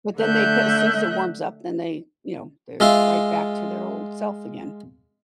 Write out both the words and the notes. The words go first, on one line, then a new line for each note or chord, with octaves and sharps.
but then they c as soon as it warms up, they you know, they're right back to their old self again.
D3 A3 E5 F#6 G6
G#3 F4 E5 F5